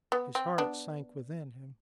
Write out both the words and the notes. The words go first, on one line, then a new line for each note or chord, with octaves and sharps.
His heart sank within him.
B3
C4
B3 D4